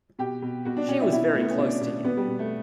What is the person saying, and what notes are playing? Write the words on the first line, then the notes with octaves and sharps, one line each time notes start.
She was very close to him.
B2 G4
B2
B2 F#4
D4
B2 C#4
E4
B2 E4
B2 A3
B3
C#4
B2 D4
B2
B2 B3
G3
B2
A3